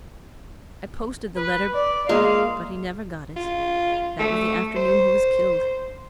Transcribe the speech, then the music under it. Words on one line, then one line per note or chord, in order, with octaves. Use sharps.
I posted the letter, but he never got it. That was the afternoon he was killed.
B4
D5
G#3 A#3 F5
F4
A3
C5